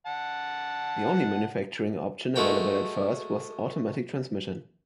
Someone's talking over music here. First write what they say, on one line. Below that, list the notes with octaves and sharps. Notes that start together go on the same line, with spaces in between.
The only manufacturing option available at first was automatic transmission.
F#5 A5
G#3 A3 F#4 A#4 G5